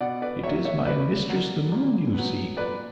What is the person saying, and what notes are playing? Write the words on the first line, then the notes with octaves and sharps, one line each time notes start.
'It is my mistress, the Moon, you seek.
B2 D5 F#5
B4 D5
F#3 A#3 C#5 E5
C#5 E5
B2 B4 D5
F#3 A#3
A#2
F#3 B3
A#2 B4 D5